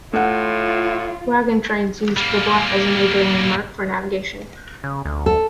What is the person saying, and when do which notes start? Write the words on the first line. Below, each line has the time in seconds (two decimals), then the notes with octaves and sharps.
Wagon trains used the bluff as a major landmark for navigation.
0.13 A2 A3 F4 F#5
2.17 G3 A#3
4.84 C#3
5.05 D2
5.26 A4